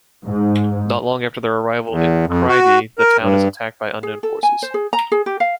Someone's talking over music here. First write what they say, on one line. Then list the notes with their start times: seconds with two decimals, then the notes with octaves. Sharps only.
Not long after their arrival in Crydee, the town is attacked by unknown forces.
0.25 G#2
1.90 E2
2.27 F2
2.48 F#4
2.99 A#4
3.21 G2
4.03 G#4
4.23 A4
4.43 G#5
4.62 C5
4.74 G#4
4.93 A#5
5.12 G#4
5.26 G4
5.40 F5